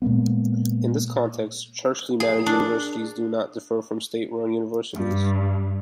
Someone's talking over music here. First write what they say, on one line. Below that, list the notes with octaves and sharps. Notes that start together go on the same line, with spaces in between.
In this context, churchly managed universities do not differ from state-run universities.
A#2 G#3 A#3 B3
G#4
D4
G2